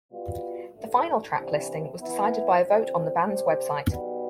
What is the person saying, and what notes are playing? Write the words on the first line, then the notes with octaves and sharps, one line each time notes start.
The final track listing was decided by a vote on the band's website.
B2 G3 B3 F4
A1 G2 D3 A3
C3 E3 G3 B3 D4
E3 B3 E4
F2 D3 G3 C4
C3 G3 D4 G4 C5
B1 B2 G3 B3